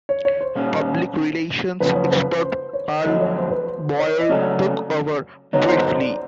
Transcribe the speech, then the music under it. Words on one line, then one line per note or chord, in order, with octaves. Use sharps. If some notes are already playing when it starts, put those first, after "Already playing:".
Public Relations expert Carl Byoir took over briefly.
C#5
C#5
C5
A#2 G3 A#3 C#4
F#2 C#3 F3 B4
C#5
C5
B4
C5
C#5
F2 D3 F#3 A3 D#5
C#5
C5
B4
C5
C#5
D#5
C#3 F#3 A3 C#4 D5
F#2 D3 F#3 B3 D#4 C#5
C5
C5
D5